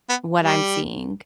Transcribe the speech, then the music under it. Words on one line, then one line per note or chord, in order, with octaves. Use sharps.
what I'm seeing.
B3
G3